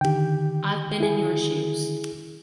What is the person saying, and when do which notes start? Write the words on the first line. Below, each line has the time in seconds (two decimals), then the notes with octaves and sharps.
I’ve been in your shoes.
0.01 D3 D#3 G4 G5
1.00 E4 G#4